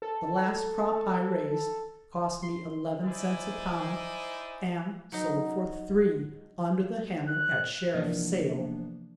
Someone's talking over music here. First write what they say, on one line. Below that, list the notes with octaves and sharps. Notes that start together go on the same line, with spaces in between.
The last crop I raised cost me eleven cents a pound and sold for three under the hammer at sheriff's sale.
A4
C6
D#4 E4 C5 D5 G#5 D#6
F#3 D#4
F#6
C3 E3 F3 A#3 B3 D4